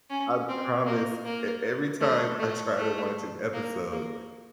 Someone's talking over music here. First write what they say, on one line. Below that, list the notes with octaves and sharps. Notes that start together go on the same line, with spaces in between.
I promise e every time I try to watch an episode,
C#4
C4
A#3
A#3
A3
A3
A3
A#3
A#3